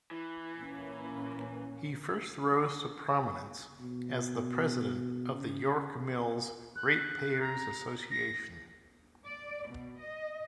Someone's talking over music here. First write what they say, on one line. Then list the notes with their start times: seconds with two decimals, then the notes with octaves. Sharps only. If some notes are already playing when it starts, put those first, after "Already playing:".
He first rose to prominence as the president of the York Mills Ratepayers Association.
0.11 E3
0.55 A#2 A#3 C#4
3.80 B2
5.34 C#3
6.76 F#6
7.40 A#5
8.11 A#6
9.26 D5
9.68 B2
10.00 D#5